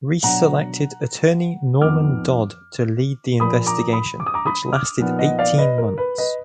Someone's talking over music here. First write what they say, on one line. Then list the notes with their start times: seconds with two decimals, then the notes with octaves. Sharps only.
Reece selected attorney Norman Dodd to lead the investigation, which lasted eighteen months.
0.23 B2 F#3 D4 F#5 A#5
1.81 F2 F3 B3 D#4 D6 F6
3.40 A#2 F3 A#3 B5 D#6
3.67 A#5 D6
3.93 B5 D#6
4.20 D6
4.26 D#6
4.34 A#5 D6
4.46 B5 D#6
4.73 D6 F6
4.99 A#2 F3 B3 D#4
5.19 D#5 F#5
5.39 D5 F5
5.58 B4 D#5
5.78 A#4
5.98 B4
6.18 B4 D#5